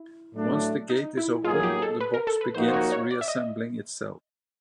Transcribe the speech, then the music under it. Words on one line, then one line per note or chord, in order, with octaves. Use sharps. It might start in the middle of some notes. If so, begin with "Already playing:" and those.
Once the gate is opened, the box begins reassembling itself.
Already playing: E4
A2 F#3 A3 D4
D#4
E4
A2 F#3 A#3 D#4 F4 G#4
G4
A4
B4
A#4
A4
B4
F3 A#3 D#4 F#4 C5
C5
C#5
C#5
D5
E5
D#5